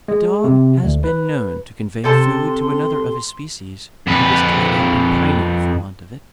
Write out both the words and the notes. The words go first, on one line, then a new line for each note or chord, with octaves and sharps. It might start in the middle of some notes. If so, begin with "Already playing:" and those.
A dog has been known to convey food to another of his species who was tied up and pining for want of it.
G#3
C3
D2
B4
C3 A4 A5 C6
F2 B4